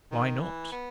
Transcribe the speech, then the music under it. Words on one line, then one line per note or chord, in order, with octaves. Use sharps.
"Why not?"
D#3
E3
B3